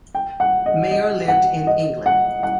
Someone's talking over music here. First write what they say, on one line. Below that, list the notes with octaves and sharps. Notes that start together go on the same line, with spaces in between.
Mayer lived in England.
G5
F#5
D#5
D#5
F#5
D#5
F#5
F#5